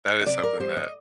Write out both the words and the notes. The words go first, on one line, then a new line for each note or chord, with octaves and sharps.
that is something that
D#5
C3 D5
A#4
G3 C5
D#5